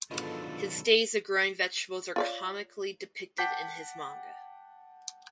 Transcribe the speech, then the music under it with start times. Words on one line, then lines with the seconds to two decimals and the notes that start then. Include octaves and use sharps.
His days of growing vegetables are comically depicted in his manga.
0.11 G#2 B2 D3 D#3 F#3 D4 F4 A4
2.16 F4 C#5 D5
3.38 F#5 G5 A5 D6 G6 B6